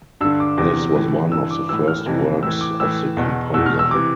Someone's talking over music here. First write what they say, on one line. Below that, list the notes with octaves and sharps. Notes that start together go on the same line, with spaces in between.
This was one of the first works of the composer.
G2 D3 E6
D6
E2 C3 E3 D6
A2 E3
G2 E3 E6
D6
A2 E3 E6
F6
F2 C3 E3
A2 E3 E6
D6
A2 E3 E6
E2 B2
E2 B2 E6
F6
E6
C3 E3 D6